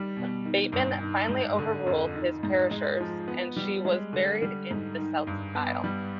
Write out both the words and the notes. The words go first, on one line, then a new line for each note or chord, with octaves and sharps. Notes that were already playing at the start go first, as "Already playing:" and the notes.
Bateman, finally over-ruled his parishioners and she was buried in the south aisle.
Already playing: D#3 G3
B2
D#3
G2
D#3
G#2
D3
F2
D#3
G#2
G#3
F3
B3
G3
G#3
D3
G3
G#2
D#3
G2
B3
G3